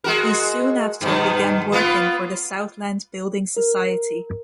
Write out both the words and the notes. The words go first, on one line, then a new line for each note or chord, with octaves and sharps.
He soon after began working for the Southland Building Society.
G#3 F#4 A#4
G2 B2 D#3
A#3 B3 F4
A#4